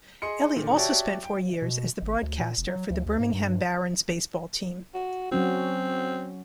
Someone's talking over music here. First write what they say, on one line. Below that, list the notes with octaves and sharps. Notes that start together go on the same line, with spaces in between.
Eli also spent four years as the broadcaster for the Birmingham Barons baseball team.
G#4 D#5 C6 C#7
A#2 D3 D#3
F#4 G4 C#5 D5 E5 A5
G5
B2
G#1
D2
A#2
F1
F#3
D2
D2
G#2
G2
F#4
F#3 C4 C#4 F#4